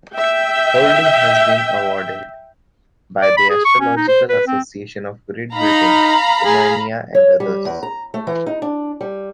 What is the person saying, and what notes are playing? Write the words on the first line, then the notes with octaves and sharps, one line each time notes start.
Houlding has been awarded by the Astrological Associations of Great Britain, Romania, and others.
E5 G5
D5
B5
G#4
C#6
C#4
D#4
C5
B4
C4
D#4 F5 A#5 B5
G#4
C#5
G3
E2
A#5
A3
E3
D#4
D4
G3